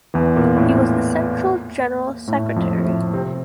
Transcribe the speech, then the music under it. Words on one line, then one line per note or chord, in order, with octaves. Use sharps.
He was the Central General Secretary.
E2 E3
A#2 A#3
A2 A3
A2 A3
F2 F3
A2 A3
C3 C4